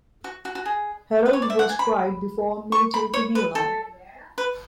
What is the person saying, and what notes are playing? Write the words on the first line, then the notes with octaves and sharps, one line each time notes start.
Herold was tried before a military tribunal.
F#4
F#4
F#4
G#4
B4
C#5
D5
E5
F#5
G#5
B5
C#6
B5
C#5
B4
A4
B4